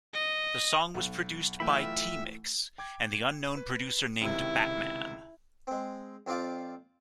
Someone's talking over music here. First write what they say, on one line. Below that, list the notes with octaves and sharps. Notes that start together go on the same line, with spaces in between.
The song was produced by T-Mix and the unknown producer named Batman.
D#5
B1
E3 A3 F4 E5 G5 B5
G5 D6 G#6
B4
C#2 C3 D#3 E4
G#3 C4
F2 C4 F4 D5 F5